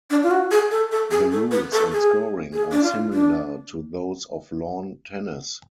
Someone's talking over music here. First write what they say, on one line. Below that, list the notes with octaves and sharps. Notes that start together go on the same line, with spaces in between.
The rules and scoring are similar to those of lawn tennis.
D4
F4
F#4
G#4
A4
A4
G#4
A4
B4
A4
G#4
G#4
D4
F4
D4